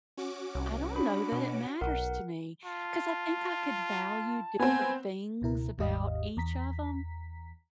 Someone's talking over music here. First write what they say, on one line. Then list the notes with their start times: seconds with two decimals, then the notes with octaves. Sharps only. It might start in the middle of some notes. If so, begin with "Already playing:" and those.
I don't know that it matters to me, 'cause I think I could value different things about each of 'em,
0.17 C#4 F#4 D6
0.55 C2
0.95 D4 B5
1.32 B2
1.81 B1 A#4 F#5
2.65 F4 A5
4.59 B3 C4 G#5
5.42 C#2 B2 E4 A#4
5.78 G1 D#2 G#2 G4 D#5 F5
6.37 E2 A#5 B6